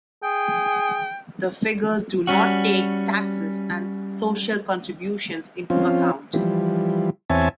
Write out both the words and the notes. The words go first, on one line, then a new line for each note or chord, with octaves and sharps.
The figures do not take taxes and social contributions into account.
G#4 G5
G3 C#4 F#4
F3 C4 C#4 F4
E3 F3 G3
E2 C4 C#5 E5 G#5 A5